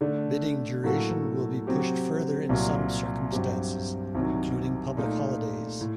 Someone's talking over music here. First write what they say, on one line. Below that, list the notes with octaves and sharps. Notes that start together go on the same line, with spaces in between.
Bidding duration will be pushed further in some circumstances, including public holidays.
D3 A3 D4
A2 F#3 A#3 F#4 A4
C3 F#3 C4 G4
C2 A#2 F#3
G2 F#3 C4 G4
C2 C3 D#3 F#3
A#2 A3 D#4
A2